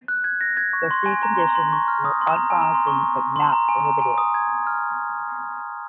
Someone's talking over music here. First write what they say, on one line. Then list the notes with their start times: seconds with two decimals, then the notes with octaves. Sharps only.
The sea conditions were "unpromising but not prohibitive".
0.08 F#6
0.24 G#6
0.41 A#6
0.57 G#6
0.73 C#6
0.91 C6
1.06 G#5
1.23 A#5
1.35 C6
1.39 A#5
1.55 C6
1.72 C#6
1.88 F6
2.05 D#6
2.21 C6
2.37 A#5
2.50 G#5
2.61 A#5
2.74 C6
2.87 C#6
3.36 C6
3.52 A#5
3.69 G#5
3.85 A#5
4.02 G#5
4.18 D#6
4.34 G#6
4.67 F6